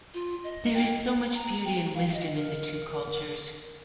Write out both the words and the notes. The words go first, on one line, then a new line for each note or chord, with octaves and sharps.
There is so much beauty and wisdom in the two cultures.
F4
D#5
G5
A#5
G5
F5
F5
D#5
A#4